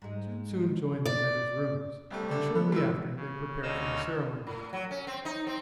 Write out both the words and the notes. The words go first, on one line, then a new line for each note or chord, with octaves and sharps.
Jude soon joined them at his rooms, and shortly after they prepared for the ceremony.
G#2 G#3
D5
C2 G3 A3
D3 G3
F3 B3
G#2 E3 E6
C#3
D2 C#3 D#4 D#5 F5 E6
A2
F#3
C#4
C4
D#4
C4